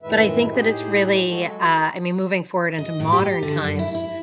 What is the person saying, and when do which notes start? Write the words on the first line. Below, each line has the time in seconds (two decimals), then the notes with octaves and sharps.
but I think that it's really, uh, I mean, moving forward into modern times
0.02 F#2 A2 D#3 G#3 B4 E5
0.52 A2 D#4 G4 G#4 C5
1.29 F#3 G#3 F#4 A4
2.78 D#5
3.00 A2
3.13 G4
3.43 D3
3.62 F#2
3.79 E4
3.95 E4